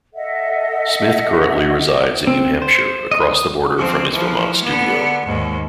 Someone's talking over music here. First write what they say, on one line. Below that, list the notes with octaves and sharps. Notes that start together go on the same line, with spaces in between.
Smith currently resides in New Hampshire across the border from his Vermont studio.
A4 D#5 E5 F#5
C4
C5
D#5
D#6
F3 C4
E3 F3
D3 B3
D#2 G#2